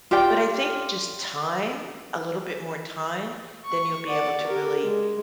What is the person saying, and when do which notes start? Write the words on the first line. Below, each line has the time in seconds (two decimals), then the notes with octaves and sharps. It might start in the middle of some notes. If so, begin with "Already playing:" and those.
But I think just time, a little bit more time, then you'll be able to really
0.11 F4 G4 D5 G5
3.65 C#6
4.06 D5 F#5
4.46 G4 A#4
4.84 G#3